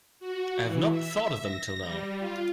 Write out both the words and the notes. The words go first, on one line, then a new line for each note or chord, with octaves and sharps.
I have not thought of them till now.
F#4
E3
E5
A#6
G3
F4